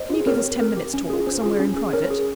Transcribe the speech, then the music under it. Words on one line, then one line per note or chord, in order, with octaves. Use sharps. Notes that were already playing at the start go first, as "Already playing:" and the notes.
Can you give us ten minutes' talk, somewhere in private?
Already playing: C5 D#5
F4 G#4
C4 A#4 C#5
G4
C4 A#4
G4
C#4
F4 G#4
C#4 C5
F4 G#4
C#4
G#4
C#4 A#4 C#5
G#4